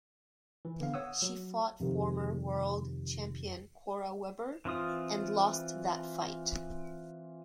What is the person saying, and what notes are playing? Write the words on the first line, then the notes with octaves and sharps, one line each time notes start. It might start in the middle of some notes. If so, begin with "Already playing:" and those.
She fought former world champion Cora Webber, and lost that fight.
E3
D3 B3 F5
C#5 F#5 D#6 E6
F#3
F2 C3 D#3
E3 C4 F4 D#6